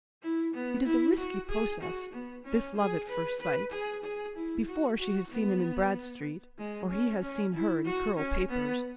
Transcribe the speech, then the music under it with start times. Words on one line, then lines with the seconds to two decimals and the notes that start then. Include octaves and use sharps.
It is a risky process, this love at first sight, before she has seen him in Bradstreet or he has seen her in curl papers.
0.22 E4
0.54 B3
0.86 E4
1.18 F#4
1.50 G#4
1.81 F#4
2.13 B3
2.45 C#4
2.76 G#4
3.08 B4
3.40 B4
3.72 G#4
4.04 G#4
4.36 E4
4.67 F#4
4.99 F#4
5.31 B3
6.58 G#3
6.90 C#4
7.22 C#4
7.54 E4
7.85 F#4
8.18 C#4
8.49 B3